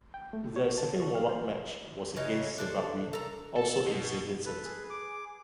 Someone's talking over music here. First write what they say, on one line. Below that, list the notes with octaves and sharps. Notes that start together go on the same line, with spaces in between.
Their second warm-up match was against Zimbabwe, also in Saint Vincent.
G5
A3
C#5
A5
C#6
F5
C5
C#3 E3 C#4 D#4
D4 A4 C5
A4 A#4 A#5
A4
B2
A4 B4
G#4
D6